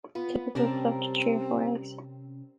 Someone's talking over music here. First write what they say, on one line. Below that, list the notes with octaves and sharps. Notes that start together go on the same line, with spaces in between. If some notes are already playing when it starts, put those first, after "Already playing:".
The typical clutch is three or four eggs.
B3 F4
C3 G3 C4 C#4 A#4 A5